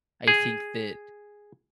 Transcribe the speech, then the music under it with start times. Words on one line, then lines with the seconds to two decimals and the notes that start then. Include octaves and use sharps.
I think that,
0.28 G#4